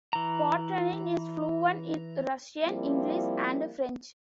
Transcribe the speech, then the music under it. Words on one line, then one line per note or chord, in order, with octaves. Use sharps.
Potanin is fluent in Russian, English, and French.
E3 A#5
F3 G3 A#3 C4 E4